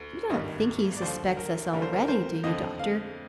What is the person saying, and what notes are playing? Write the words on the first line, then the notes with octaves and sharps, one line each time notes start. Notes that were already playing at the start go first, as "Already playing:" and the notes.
"You don't think he suspects us already, do you, doctor?"
Already playing: D2 D3
G#1 G2 D#3 G3 D#5
D5
D#2 D3 F3 C5
A#4
D#2 D3 G3 A#4
C5
A#4
C5
F2 D3 F3 D#5
F5